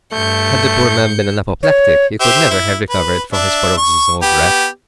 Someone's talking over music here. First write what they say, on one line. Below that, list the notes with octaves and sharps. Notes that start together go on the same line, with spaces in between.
Had the poor man been an apoplectic, he could never have recovered from his paroxysm of wrath.
G2 A3 G6 C#7
C#5
G4 C5 E5
E4
B4
D4 E5
C#6
B3 G4